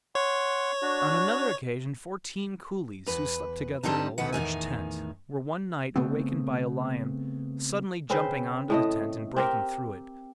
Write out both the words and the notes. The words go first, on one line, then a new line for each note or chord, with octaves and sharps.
On another occasion fourteen coolies who slept together in a large tent were one night awakened by a lion suddenly jumping on to the tent and breaking through it.
C#5 F#5 C6
D4 F#4
E2 B4
D3 G3 C4 D#4 A5
D2 A#2 D#3 B4 F#5
E2 A2 D#3 G#5
C#3 A3 B3 C4
C#3 C4 B4 C5
A2 A3 D#5
C4 G4 A#4